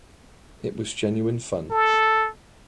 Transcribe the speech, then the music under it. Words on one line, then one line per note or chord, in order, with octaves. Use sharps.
It was genuine fun.
A4